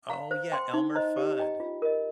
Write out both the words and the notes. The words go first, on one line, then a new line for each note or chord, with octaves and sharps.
Oh yeah, Elmer Fudd.
F5 A#5
C5
G5 C6
D#4
C5 D#5 A#5
G4
D#5 G5 A#5
F4
A#4 D#5